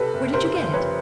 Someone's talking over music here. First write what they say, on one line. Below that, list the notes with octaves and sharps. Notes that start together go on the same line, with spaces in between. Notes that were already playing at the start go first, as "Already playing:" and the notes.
Where did you get it?
Already playing: C3 A4 B4
F#1
C3 A#4 C5
F#1
F2 B4 C#5